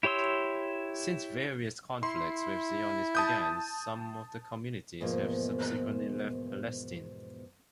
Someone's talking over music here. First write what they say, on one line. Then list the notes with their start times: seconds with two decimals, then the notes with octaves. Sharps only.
Since various conflicts with Zionists began, some of the communities have subsequently left Palestine.
0.03 E4 G4 C#5 C6 E6
2.03 E4 C6
3.15 A5 D#6 G6
5.00 E2 G#2 B2 F3 A#3